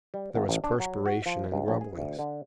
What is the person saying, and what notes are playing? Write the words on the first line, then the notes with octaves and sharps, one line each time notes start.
There was perspiration and grumblings.
G3
G#1
A1
D4
F#3
F#4
F3
C#2
A#1
G#4
D2
D3